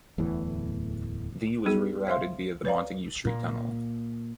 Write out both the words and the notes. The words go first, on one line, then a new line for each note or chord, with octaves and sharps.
The was rerouted via the Montague Street Tunnel.
D1 E2 A2 E3
G3 B3 D#4 G#4
C5 E5 F5 C6
B4 C#5 D5 F5 A#5
A#2 A#3